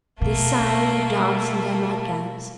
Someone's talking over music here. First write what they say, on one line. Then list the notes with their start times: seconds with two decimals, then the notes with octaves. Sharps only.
They sang and danced in their night-gowns.
0.21 B2 A3 A#3